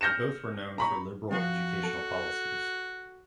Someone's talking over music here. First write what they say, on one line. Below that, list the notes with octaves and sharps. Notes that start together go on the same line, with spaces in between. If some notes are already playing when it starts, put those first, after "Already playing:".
Both were known for liberal educational policies.
F6 G6 A#6 C#7 E7
A#5 B5 C#6
F2 F3 F#4 F5
A4